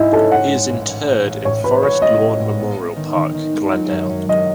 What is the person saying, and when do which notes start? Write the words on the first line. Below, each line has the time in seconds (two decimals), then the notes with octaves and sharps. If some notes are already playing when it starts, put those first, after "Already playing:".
He is interred in Forest Lawn Memorial Park, Glendale.
Already playing: G#2 D#4 E4 G#4
0.12 C#4 A4
0.31 G#3 F#5
0.51 G#3
0.69 A1
0.88 A1
1.07 A2
1.26 A1
1.45 A2 C#5
1.64 A2 B4
1.83 A1 C#5
2.02 G#3 D#5
2.21 A1
2.40 A2
2.59 B3
2.77 B3
2.96 D#3
3.16 D#3
3.34 D#3
3.54 G#3
3.72 F#3
3.91 F#2
4.10 F#2
4.29 F#2 D#5